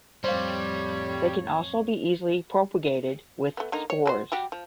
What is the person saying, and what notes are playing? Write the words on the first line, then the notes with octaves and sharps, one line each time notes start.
They can also be easily propagated with spores.
F2 A2 G3 C5 C#5 F5
A3 B3
D3 A#3 D#4
C#5
F#4 B4 C5
G3 F#4 G4
F3